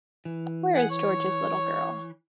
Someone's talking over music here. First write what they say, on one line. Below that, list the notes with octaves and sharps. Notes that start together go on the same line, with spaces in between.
Where is George's little girl?
E3
G#4 F#5
C#5